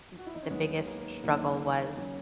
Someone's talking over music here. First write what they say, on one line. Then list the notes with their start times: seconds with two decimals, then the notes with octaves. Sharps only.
m the biggest struggle was
0.18 F#4
0.26 E4
0.34 D#4
0.42 C#4
0.50 D#2 D#3 F#3 G#3 B3
0.87 A#3
1.23 D#2 D#3 F#3 A#3
1.97 C#3 F#3